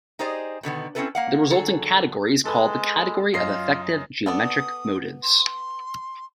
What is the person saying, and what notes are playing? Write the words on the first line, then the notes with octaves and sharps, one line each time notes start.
The resulting category is called the "category of effective geometric motives".
D#4 G4 G#4 C5 D5 D#5
B2 D3 D#3 B3
C4 C#4 D#4 E4 A4 B4
A#3 F5 F#5
D3 F#3 G#4 A4
G#3 A4 B4 B5
F#2 F4 D#5 C7
B3 A4 D5 D#6
C6